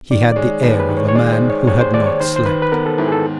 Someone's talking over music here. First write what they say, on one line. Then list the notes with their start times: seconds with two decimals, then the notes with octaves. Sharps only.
He had the air of a man who had not slept.
0.11 D#3 D5
0.32 D5
0.36 G#3 C#5
0.63 D#2 B4
0.74 C5
0.80 B4
0.89 D#3
0.97 C#5
1.09 C#5
1.15 G#3 D5
1.32 C5
1.41 D#3
1.50 C#5
1.67 D#2 C#5
1.81 C5
1.94 D#2 D5
2.06 C#5
2.20 D#3 C5
2.36 C5
2.46 D#3 B4
2.62 B4
2.72 B3 A#4
2.86 A4
2.98 G#2 E4
3.08 G#4
3.12 A4